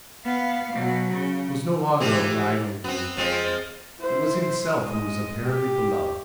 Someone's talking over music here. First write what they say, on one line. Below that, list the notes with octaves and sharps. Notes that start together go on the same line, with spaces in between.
It was no longer a rival who was beloved; it was himself who was apparently beloved.
B3 F5
B2 F#3
C#3
E3 F3 G4
B3 C4
F3 G#3 C4
E4 C5
G#3 D#5
G4